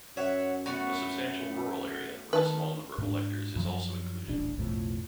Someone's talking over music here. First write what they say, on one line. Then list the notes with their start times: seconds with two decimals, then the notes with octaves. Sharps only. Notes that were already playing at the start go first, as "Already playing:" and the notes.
A substantial rural area with a small number of electors is also included.
0.17 F#2 C#5 E5 F#5
0.66 A3 B3 F#4
2.33 D#3 B4 A5
2.98 G#2 D4
3.56 F#2 F3 F#3
4.28 D#1 A1 D4
4.59 B1 F2 A2 F3